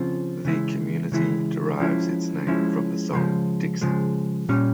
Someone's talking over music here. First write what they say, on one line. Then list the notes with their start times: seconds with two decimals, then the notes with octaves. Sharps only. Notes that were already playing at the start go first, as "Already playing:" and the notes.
The community derives its name from the song "Dixie".
Already playing: C#3 F3 C4 F4
0.45 C#3 E3 G#3 E4
1.12 C#3 E3 G#3 E4
1.80 F3 G#3 C#4 E4
2.47 F3 G#3 C#4 E4
3.13 C#3 F3 G#3
3.81 C#3 F3 G#3
4.49 A#2 G3 C#4